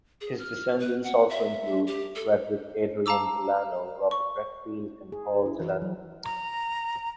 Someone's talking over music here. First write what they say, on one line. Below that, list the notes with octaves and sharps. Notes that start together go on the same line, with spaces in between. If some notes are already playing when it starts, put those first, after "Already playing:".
His descendants also include Frederic Adrian Delano, Robert Redfield and Paul Delano.
G#4
F6
B4
F#5
E5
G4
A4
F5 A5 A#5 D6 E6
C#6
G#4
E4
E3
F#3
A#5